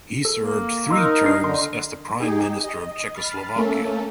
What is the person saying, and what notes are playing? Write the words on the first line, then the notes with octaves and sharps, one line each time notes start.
He served three terms as the prime minister of Czechoslovakia.
A4
A#3
D#4 A#4 C6 E6
D4 C7
D3 C6
D#4 G4 G#4
D#5
B5 F6 A6 C7
A3 A#3 C#4 A4